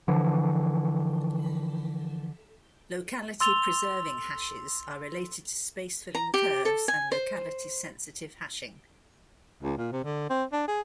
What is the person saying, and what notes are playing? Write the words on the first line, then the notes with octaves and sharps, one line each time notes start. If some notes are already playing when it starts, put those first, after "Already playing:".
Locality preserving hashes are related to space-filling curves and locality-sensitive hashing.
D3 E3 F3
C6 E6 A6 F7 G7
A#5
G4
A4
G#5
C5
C#2
A#2
C3
D3
C4
D4
G#4